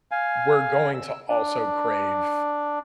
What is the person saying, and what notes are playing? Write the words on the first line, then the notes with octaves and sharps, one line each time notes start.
we're going to also crave
F5 G#5
E6
D4